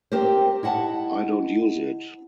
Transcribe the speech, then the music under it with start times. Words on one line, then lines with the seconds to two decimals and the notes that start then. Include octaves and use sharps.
I don't use it.
0.12 C4 G4 A#4 C5
0.63 E4 D#5 F#5 A5